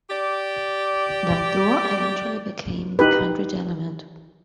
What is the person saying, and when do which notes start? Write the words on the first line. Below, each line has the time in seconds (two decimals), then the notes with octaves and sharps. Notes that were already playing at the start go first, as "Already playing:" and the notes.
That duo eventually became the Country Gentlemen.
0.10 G4 D5
2.99 D#4 G4 B4